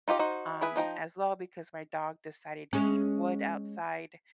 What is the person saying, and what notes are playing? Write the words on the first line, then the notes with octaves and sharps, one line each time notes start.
um, as well because my dog decided to eat wood outside,
D#4 F4 G4 D#5
D#4 F#4 C5
E4 G#4 B4
F3 D#4 G5 A#5
G#3 C#4